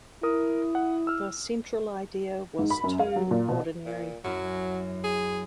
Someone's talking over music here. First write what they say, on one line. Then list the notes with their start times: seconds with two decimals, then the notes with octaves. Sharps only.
The central idea was too ordinary.
0.23 E4 A#4 D#6
0.75 F#5
1.07 E6 F6
2.59 G#2
2.70 B5
2.84 F#2
2.99 F5
3.16 F#3
3.31 A#2
3.48 B2
3.86 A#2
4.24 F#2 F#3 C#4 E4
5.04 G#4